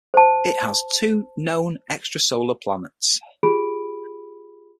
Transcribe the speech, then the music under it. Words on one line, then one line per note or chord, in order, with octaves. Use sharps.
It has two known extrasolar planets.
C5 A5
F4 G4 G#4 B5 D7